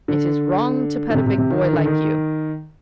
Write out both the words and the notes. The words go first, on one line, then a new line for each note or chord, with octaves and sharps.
It is wrong to pet a big boy like you.
D3
D3
C3
C3
C3
D#3
D#3
D3
D#3